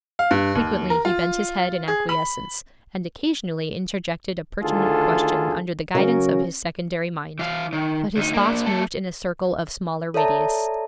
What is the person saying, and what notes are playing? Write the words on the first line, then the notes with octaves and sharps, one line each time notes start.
Frequently he bent his head in acquiescence, and occasionally interjected a pertinent question under the guidance of his secondary mind; but his thoughts moved in a circle of smaller radius.
F5
G2
D#2
A#4
F4
G#4
B5
D2 D#3 F4 G#4 A4
C#3 F#3 C#4 A#4
E3 F5
D#3
D2 D#4
A#3 D4
A#3 A4
A4 C#5 D5 E5 A5 A#5